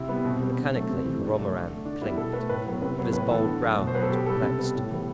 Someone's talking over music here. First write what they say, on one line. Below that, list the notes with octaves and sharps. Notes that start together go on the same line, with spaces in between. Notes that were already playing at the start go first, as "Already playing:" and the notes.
Mechanically Romarin clinked; but his bald brow was perplexed.
Already playing: C3 E4
G3 B3
B2 C4
G3 B3
D3
F#3 A3
C3 C4
E3 A3
C3 D4
F#3 A3
D3
A3
D3 D4
G3 B3 E4
B2 A4
A3 B4
A2 B4
F#3 B3
C3 B4
F#3 B3
A2 B4
E3 B3 A4
D3
F#3 A3
B2
C5
F#3 B3 B4
A4
B2 G4
G3 B3 A4
C3
G3 B3
A2
E3 G3 B3